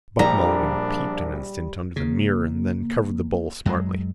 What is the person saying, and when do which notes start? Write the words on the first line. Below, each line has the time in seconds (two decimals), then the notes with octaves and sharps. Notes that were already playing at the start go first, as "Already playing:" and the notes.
Buck Mulligan peeped an instant under the mirror and then covered the bowl smartly.
0.19 A#1 G3 A#3 D4 A#5
1.96 C#3 A#3
3.66 F#2 F#3 G#3